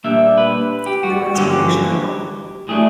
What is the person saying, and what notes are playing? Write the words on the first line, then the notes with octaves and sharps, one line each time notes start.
No explanation at all.
A#2 G3 A#3 D4 E5
B4
G4
F#4
G2 D3 F#3 A#3 C#4 G4
A2 F#3 A3 D4 G#4